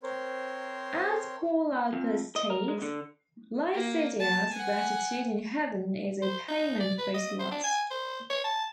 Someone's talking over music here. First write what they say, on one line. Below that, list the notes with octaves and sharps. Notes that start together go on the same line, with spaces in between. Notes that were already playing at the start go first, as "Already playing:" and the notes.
As Paul Alpers states, Lycidias' gratitude in heaven is a payment for his loss.
C4 A#4 C5 C#5 C6
F2
D#5
A#4
G#3
D3
A#3
A5
F#5 G#5
C5
D#4
D5
B4
D#5
C5
D4
G#5
C5
C#5
A5